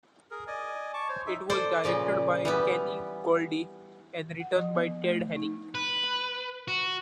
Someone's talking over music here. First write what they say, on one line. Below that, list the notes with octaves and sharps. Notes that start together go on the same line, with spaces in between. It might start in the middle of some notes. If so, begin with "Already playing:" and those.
It was directed by Kenny Golde and written by Ted Henning.
G#4 A#4
D5 D#5 G#5
A5 C#6 D6
C5 C#5
D#4 E5
A4 C5 D5
A#2 C#3 F3 D5
E3 G3 B3
F#5
F3
B3
A3
D#4
B4
F#4